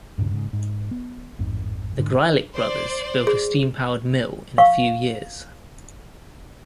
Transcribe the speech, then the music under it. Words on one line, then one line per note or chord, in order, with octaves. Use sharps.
The Greilick brothers built a steam-powered mill in a few years.
D2 G2 A#2 C#3
G#2 C#3
G#2
B3
A1 F2 G#2
G#2 D3
C5 D5
G#4
F5 C#6